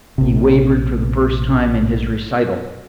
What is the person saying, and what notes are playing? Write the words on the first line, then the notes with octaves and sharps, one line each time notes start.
He wavered for the first time in his recital.
A#1 C3